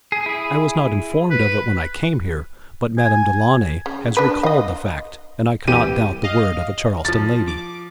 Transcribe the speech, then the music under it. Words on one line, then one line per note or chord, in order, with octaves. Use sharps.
I was not informed of it when I came here, but Madame Delaunay has recalled the fact and I cannot doubt the word of a Charleston lady.
G#4
E4 G#4
B4
G#5
C#3
D4 B4
D#5 F5
C2 E3 G4 D#7
D#5 F5
F3 A6
D6